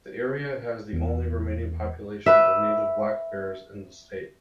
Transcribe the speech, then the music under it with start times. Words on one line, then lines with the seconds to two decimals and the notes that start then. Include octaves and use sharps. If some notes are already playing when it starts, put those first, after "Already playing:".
The area has the only remaining population of native black bears in the state.
0.93 E2
2.26 B4 E5